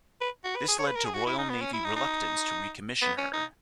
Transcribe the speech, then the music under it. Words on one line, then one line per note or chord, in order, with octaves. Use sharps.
This led to Royal Navy reluctance to recommission her.
B4
F#4
B4
G#4
C#5
B4
A#4
G#4
F#4
E4
D#4
B3
C#4
E4
D#4
D#4
B3
C#4
D#4